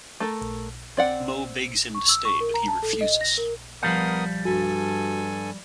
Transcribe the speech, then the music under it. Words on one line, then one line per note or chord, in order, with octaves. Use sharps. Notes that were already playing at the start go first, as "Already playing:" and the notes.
Mo begs him to stay but he refuses.
A3 A4 A#4
C4 D5 F#5
C#6
E6
C#6
A#4
A#5
A5
A4
D#5
A#6
A#4
F3 G3 B3 A#4 F5 D#6 G6 C#7
G2 F#4 A4 G#5